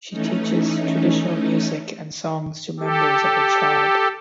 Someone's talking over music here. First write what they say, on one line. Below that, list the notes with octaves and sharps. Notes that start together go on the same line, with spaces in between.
She teaches traditional music and songs to members of her tribe.
E3 A3 C#4 D#4
G4 A4